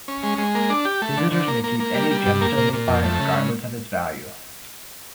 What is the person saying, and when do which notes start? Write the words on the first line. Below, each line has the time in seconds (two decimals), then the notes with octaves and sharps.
Visitors may keep any gemstone they find regardless of its value.
0.08 C#4
0.23 G#3
0.38 G#3
0.55 A#3
0.70 D4
0.85 G4
1.02 A3
1.17 D3
1.32 D3
1.48 A#3
1.64 A#3
1.80 A#3
1.95 G3
2.10 G3
2.26 G2
2.41 A#3
2.57 A#2
2.73 A#2
2.88 F2
3.04 A3
3.20 C#3